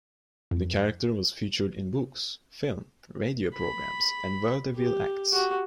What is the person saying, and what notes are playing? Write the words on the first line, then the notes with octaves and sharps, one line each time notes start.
The character was featured in books, film, radio programs and vaudeville acts.
F2
B5
G4
F#4 G4